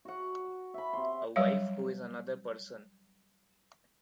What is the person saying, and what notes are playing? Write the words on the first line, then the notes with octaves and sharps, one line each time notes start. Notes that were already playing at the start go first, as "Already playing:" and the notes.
A wife who is another person.
F#4 F#5
E5 B5
C3 C6
F#3 G3 C#5 F5